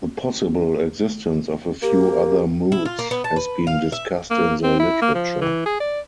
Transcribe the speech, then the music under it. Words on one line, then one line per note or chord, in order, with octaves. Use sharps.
The possible existence of a few other moods has been discussed in the literature.
A#3 G4
E4
F4
A#3
B3
A5
B4
F5
E5
A#3
C4
E4
A#3
F3
E3
G#4
D5